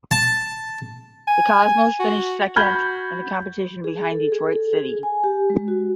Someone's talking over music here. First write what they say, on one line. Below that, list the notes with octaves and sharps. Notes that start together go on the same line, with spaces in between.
The Cosmos finished second in the competition behind Detroit City.
A5
G#5
F#4
F#4 B5 G6 G#6
G#4
A4
G#4
A4
G#4
G#5
G4
G#3
F#4